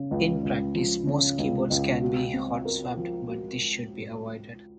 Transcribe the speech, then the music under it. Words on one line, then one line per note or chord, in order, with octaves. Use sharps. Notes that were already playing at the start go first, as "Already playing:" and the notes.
In practice most keyboards can be hot swapped but this should be avoided.
Already playing: C#3
C#2
C#2
F3
C#3
C#2
C#2
F#4
C4
A#4
F3
F#4